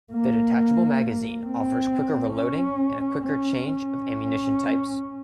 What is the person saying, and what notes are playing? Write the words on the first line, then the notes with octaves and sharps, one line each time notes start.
The detachable magazine offers quicker reloading and a quicker change of ammunition types.
A#3
C4
C#4
C#4
C#4